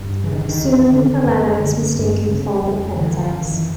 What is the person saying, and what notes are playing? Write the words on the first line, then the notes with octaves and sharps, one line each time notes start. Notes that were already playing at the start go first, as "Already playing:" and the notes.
Soon Helena is mistaken for the Princess.
Already playing: G2
C#3 E3
D#3
D3
D#3
E2
D3
F#2
D3
G2
C#3
F2
D3 E3
F3
F#2
D#3
E3